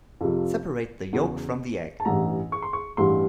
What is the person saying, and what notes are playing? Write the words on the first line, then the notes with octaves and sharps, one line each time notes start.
Separate the yolk from the egg.
F2 C3 F3
E2 C#3 F#3
A5
A1 G2 E3 A#5
C#6
C6
C#6
A1 G2 E3 G3 C6